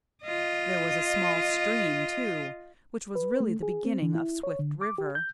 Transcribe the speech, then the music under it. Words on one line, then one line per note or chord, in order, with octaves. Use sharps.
There was a small stream, too, which was really the beginning of Swift River.
F4 D#5
B4
A3
G#4
C4
E3
E4
C#5
D3
D6
G4
G6